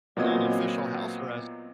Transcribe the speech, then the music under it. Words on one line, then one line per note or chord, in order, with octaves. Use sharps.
unofficial house arrest.
A#2 F#3 B3 C4 D#5 G#6